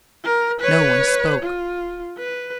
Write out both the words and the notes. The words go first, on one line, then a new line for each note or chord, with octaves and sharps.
No one spoke.
A#4
B4 C#5
F4
B4